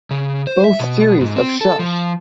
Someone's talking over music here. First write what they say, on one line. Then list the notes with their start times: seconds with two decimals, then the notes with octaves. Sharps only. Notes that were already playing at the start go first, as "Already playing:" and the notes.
Both series of Shush!
0.11 C#3
0.47 C5
0.64 E5
0.79 B2
1.20 G#2
1.35 C4
1.61 A4
1.79 F3